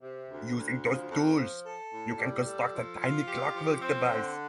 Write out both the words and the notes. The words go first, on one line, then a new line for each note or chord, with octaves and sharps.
Using those tools, you can construct a Tiny clockwork device.
C3
D2
D2
F3
F2
F3
A4
A2
G3
A4
F3
F4
G4
F3
C4
D3